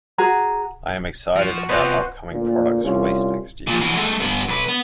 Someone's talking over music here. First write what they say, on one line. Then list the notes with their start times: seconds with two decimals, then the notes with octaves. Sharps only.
I am excited about upcoming products released next year.
0.18 F#4 G#4 A#5
1.36 F3 F#4
1.69 F#2 C3 B3 F4 G4 B4 C5 D#5
2.31 D2 A#2
2.83 C2 C#4 F4
3.67 A#2 F3
3.81 E3 F#4
3.96 G#3 A3
4.20 G2 B3
4.48 B1 B4
4.69 B3